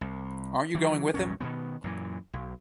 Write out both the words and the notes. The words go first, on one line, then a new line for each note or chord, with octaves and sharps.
Aren't you going with him?
C2
E3 F#3
A#1 E2 G#2 C#4
B2 D#3 B3
F#2 A#2 E3
B1